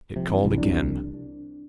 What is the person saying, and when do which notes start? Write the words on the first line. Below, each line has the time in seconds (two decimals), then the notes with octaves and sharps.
It called again.
0.16 C3 F3
0.30 E3
0.44 C2 F3
0.58 D4